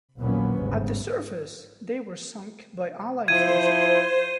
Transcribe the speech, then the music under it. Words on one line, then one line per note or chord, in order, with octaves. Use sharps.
At the surface, they were sunk by Allied Forces.
A#1 D#2 A#2 F#3 B3 C#4
G1 G#2 C#3
F3 E4 C5 G#6 D#7